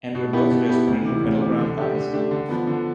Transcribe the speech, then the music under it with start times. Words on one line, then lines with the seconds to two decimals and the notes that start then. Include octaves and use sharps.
And we're both just pretty middle-ground guys.
0.15 B2
0.33 B3 E4 G4
0.51 B2
0.69 B3 E4 G4
0.87 D2
1.05 C3 E3
1.23 D2
1.41 C3 E3
1.59 D3
1.77 A3 D4 G4
1.95 D3
2.13 A3 D4 G4
2.31 D3
2.49 F3 B3
2.67 D3